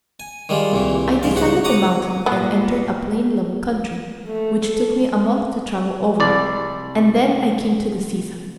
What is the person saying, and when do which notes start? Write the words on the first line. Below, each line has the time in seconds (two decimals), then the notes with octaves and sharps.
I descended the mountain, and entered a plain level country, which took me a month to travel over, and then I came to the sea- side.
0.20 G#5
0.49 D#3 G3 G#3 F4
0.72 C2 A#2 E3
1.23 C2 G#2 F3 F5
1.36 C#2 F#4 C#5 F#5
1.64 C#5 F#5 A#5 D6 D#6
2.26 A#2 B3
4.26 A3
4.65 A4
6.20 C2 D5